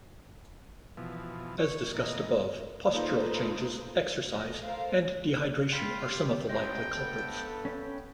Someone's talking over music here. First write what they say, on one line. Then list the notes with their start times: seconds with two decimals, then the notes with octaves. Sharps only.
As discussed above, postural changes, exercise, and dehydration are some of the likely culprits.
0.97 B2 E3 F3
1.59 C#5
1.94 A#2 E3 D#5
2.90 A#3 D#4 F4 A4 B4 C5
4.28 A#1 A3 D#5
4.64 A4 A#4 C5 F5
5.72 F4 G5 B5
6.07 G4
6.49 A1 C5 D#5 G5
6.92 G2 B3 A4
7.65 C#4 G5